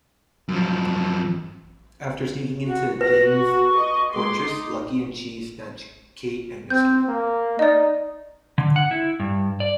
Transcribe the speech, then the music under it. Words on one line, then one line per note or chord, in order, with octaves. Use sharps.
After sneaking into Deng's fortress, Lucky and Chi snatch Kate and escape.
F#2 F3
F#4
F#4 B4 A#6
C#6
D#5
G#3 C6 D6
D#4
C4 G6
A#3
D#4 D5 D#5
D3
F#5
E4
G2
D5